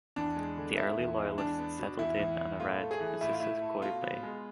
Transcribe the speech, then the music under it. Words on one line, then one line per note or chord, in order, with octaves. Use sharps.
The early loyalists settled in and around Missisquoi Bay.
E2 D4
G#3
D3
B3 E4
E2
G#3
E2 D4
B3
B2
E2 E4
E2
B3
A2 F4
A3
G#4
E3
A2 E4
F4
A2 E4
A3
B2 F4
B3
G#3